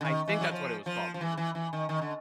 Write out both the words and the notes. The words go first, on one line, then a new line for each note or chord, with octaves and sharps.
I think that's what it was called, "The Magician's Apprentice." Yes,
D3
D#3
E3
F#3
F3
F3
F3
E3
E3
E3
D#3
D#3
D3